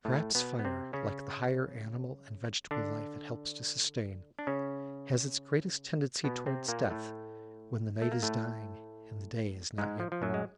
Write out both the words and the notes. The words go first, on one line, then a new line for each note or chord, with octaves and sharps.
Perhaps fire, like the higher animal and vegetable life it helps to sustain, has its greatest tendency towards death, when the night is dying and the day is not yet born.
A2 A3
B2 B3
B3
C3 C4
C#3 C#4
D3 D4
D4
C#3 C#4
B2 B3
C3 C4
A#2 A#3
G#3
A2 A3
A3
A#3
A2 A3
G#2 G#3
F3
F3
F#2 F#3
G#3